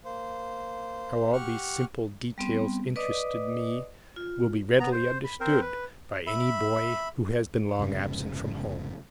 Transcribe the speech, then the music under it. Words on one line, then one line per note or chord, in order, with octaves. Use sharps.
How all these simple details interested me will be readily understood by any boy who has been long absent from home.
A#3 C5
G4 F#5 C#6 F6
G3 B3 C4
B4 D5 D#5 D6 D#6
F4
B3 A#5
C5
B5
C4 A#4 C5
B4
E5 B5
F1 G#2 C#3